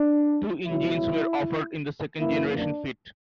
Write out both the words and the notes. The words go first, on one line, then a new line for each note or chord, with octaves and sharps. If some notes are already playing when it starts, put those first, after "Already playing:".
Two engines were offered in the second generation Fit.
Already playing: D4
C#2 B2 F#3 E4
F#2 E3 A#3 E4
D4